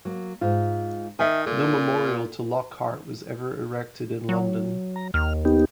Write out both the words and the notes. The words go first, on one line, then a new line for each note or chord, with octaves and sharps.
No memorial to Lockhart was ever erected in London.
F#3 A#3
G#2 F4
D#3 E5 G#5
A#2 A4
F#3
A#5
D#2 F6
B3 D#4 G4